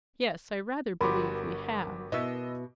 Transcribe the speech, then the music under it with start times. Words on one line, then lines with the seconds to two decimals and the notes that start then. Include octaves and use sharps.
"Yes, I rather believe we have."
1.01 G1 F#4 G4 A#4 B5 C6 D6
2.12 B2 B3 E4 D#5 E6